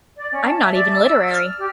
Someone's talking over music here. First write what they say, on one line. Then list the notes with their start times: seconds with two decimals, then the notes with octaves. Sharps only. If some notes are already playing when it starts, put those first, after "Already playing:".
I'm not even literary.
0.17 D5
0.31 C#4
0.44 A5
0.62 E5
0.74 D5
0.94 E6
1.27 F6
1.57 G4